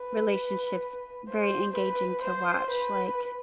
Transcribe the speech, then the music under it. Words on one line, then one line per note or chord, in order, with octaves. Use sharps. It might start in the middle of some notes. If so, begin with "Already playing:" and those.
relationships very engaging to watch, like
Already playing: B4
C5
B4
C5
B4